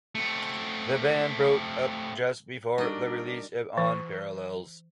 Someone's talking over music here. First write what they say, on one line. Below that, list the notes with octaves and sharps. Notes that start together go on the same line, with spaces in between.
The band broke up just before the release of On Parallels.
A3 C4
G3 D4 D#4 F#4 A#4 D5 D#5
E3